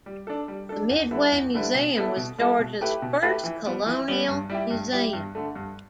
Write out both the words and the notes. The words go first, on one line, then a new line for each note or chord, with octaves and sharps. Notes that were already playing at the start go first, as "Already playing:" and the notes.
The Midway Museum was Georgia's first colonial museum.
G3
D4 A4
G3
D4 A4
E2
D3 G3 E4 B4
E2
D3 G3 E4 B4
B2
G3 B3 E4 A4
B2
G3 B3 E4 A4
B2
A3 E4 G4 B4
B2
A3 E4 G4 B4
E3
G3 B3
E3
G3 B3
G2
G3 E4 G4
G2
G3 E4 G4
G2
D3 A3
G2